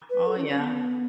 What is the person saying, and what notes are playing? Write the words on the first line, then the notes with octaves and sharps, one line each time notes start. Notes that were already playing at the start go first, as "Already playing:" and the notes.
Oh, yeah.
B4
A4
C#4
C#4
B3